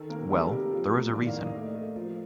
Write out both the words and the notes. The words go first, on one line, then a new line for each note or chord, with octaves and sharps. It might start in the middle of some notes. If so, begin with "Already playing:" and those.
Well, there is a reason.
Already playing: D#3 A4
A#3 A#4
G3 A4
C3 A#4
F3
A2
D#3 D5
F5
A#3
D#5
A3 D5
A3
F3